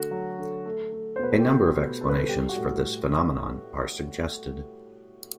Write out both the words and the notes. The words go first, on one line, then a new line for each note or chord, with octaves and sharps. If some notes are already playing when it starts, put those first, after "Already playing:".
A number of explanations for this phenomenon are suggested.
Already playing: D3 A3 F#4
F#3
D3
A3
A3
C5
B2 B4
A4
G4
B2 F#4
A3 A4
A3 A4
B4
A4
G3 G4
F#4
A2